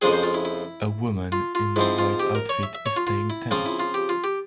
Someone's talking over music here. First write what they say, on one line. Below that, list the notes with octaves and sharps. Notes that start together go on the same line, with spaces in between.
A woman in a white outfit is playing tennis.
F2 C#3 F3 G#3 C4 G#4
C5
F4
E4
E4
F4
F4
G#2 F3 C4 E4
F4
G4
A#4
C#5
E5
E5
C#5
F4
F4
E4
C#3 F3 C4 F4
E4
F4
G4
F4
G4